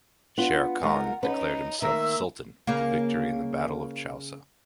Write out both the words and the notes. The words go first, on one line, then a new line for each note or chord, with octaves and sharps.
Sher Khan declared himself Sultan with the victory in the battle of Chausa.
B3 D4 F4 F#5
G#3 D#4 F4 A#4
C#4 D#4 B4
D#3 A#3 A#4 E5 E6
C#3 A#3